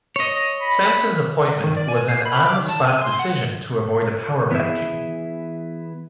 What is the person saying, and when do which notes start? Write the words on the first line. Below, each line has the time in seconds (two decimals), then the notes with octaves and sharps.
Sampson's appointment was an on-the-spot decision to avoid a power vacuum.
0.16 C#5 D#5
0.62 B5
1.64 D#3
1.77 D5
1.88 G#5
2.09 C7
2.26 B5
2.45 D6
2.58 D#3
2.69 A5
2.84 G#5
3.01 C6
3.19 F#5
4.51 E3 B3 C#4 E4 G#4 E5